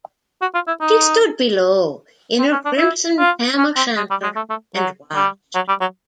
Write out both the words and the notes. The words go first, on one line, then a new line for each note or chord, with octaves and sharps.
She stood below in her crimson tam-o’-shanter and watched.
F#4
F4
E4
D#4
C4
C#4
D4
E4
F4
C#4
C4
G#3
G3
G#3
A3
A3
F#3
G3
F#3
G3
F#3